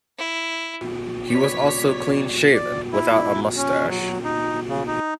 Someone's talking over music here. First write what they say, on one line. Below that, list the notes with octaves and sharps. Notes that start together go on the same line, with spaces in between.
He was also clean shaven, without a moustache.
E4
C#3 B4 C#5 D5 B6
D5
E4
C#4
F#3
D#4
C#3
D#4